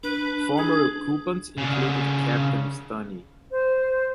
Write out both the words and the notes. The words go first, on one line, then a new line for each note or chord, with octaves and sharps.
Former occupants included Captain Stoney.
D4 B4
G#4
C#3 D4
C5